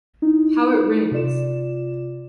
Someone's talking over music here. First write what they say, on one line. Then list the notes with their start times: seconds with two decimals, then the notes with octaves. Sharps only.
How it rings!
0.22 D#4 E4
1.11 C3 F4 D5 E7